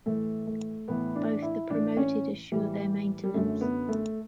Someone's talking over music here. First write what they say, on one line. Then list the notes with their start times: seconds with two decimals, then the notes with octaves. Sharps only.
Both the promoted assure their maintenance.
0.06 A2 E3 A3
0.47 A3
0.88 A2 E3 B3
1.16 D4
1.42 E4
1.70 A2 E3 D4
1.97 C#4
2.52 A2 E3 G3
3.24 G3
3.34 F#2 D3 A3
3.61 B3
3.88 A3